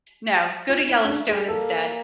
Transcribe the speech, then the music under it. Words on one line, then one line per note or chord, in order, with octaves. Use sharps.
No, go to Yellowstone instead.
F4
E4
C#4
D4
G#4
A#3 A4